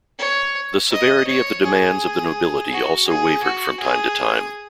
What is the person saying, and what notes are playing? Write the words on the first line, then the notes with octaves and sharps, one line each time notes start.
The severity of the demands of the nobility also wavered from time to time.
C#5
D#5
C#5
G#4
F#4
G#4
F#4
G#4